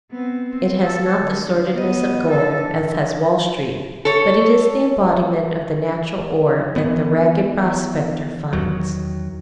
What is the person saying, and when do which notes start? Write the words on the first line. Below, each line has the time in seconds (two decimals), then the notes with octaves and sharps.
It has not the sordidness of gold, as has Wall Street, but it is the embodiment of the natural ore that the ragged prospector finds.
0.11 B3 C4
0.50 C4
0.82 A4
1.16 D3
1.74 B3 D#5
2.31 D3 A4
4.05 A4 C#5
6.76 E3 B3
8.53 E2 D#3 F#3